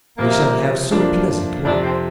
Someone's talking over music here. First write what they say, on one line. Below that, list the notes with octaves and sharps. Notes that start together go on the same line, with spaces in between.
We shall have so pleasant walk.'
C2 C3 F3 A#3 C4
F2 F3 A#3 D4 F4
F2 C3 F3 D4
C4